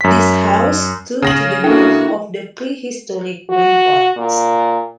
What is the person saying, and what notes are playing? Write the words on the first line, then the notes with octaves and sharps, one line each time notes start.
This house stood to the north of the prehistoric ramparts.
F#2 B6
C#3 A#6 F#7
A#3 D4 E4 F#4 A4 G5
F#4
A#2